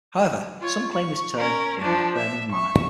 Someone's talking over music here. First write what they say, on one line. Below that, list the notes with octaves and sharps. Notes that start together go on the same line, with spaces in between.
However, some claim this term in an affirming manner.
F4 C#5
C#6
C#4 A#4
F3 D4
E5
E5 C#6